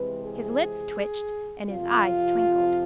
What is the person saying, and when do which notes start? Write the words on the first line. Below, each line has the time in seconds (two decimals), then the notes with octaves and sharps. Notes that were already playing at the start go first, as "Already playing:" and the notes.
His lips twitched and his eyes twinkled.
Already playing: C3 E3 G#3 C4 B4
0.23 G#4
1.68 F2 C3 F3 F4